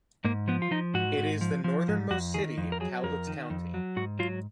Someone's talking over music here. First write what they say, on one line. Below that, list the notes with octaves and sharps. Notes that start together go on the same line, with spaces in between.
It is the northernmost city in Cowlitz County.
G#2 A#3
F3 B3
F4
F3 D#4
G#2 F#4
G#2
F3
F3
G#2
F2 F#4
D#3 G#4
F2
A#4
F#3 G#4
F2 A#4
D#3
F2
F#3
G#2 F#4
F#3 F4